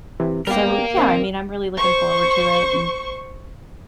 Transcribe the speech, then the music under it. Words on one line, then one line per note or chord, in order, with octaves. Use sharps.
so, yeah, I mean, I'm really looking forward to it and,
C3 E3
G3 B3 G4 A#4 F5
D#3 C4
C5 C#6